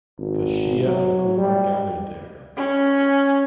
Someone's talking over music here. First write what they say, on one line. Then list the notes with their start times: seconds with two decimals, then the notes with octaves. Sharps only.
The Shia of Kufa gathered there.
0.18 G#1
0.84 F#3
1.38 G3
2.57 C#4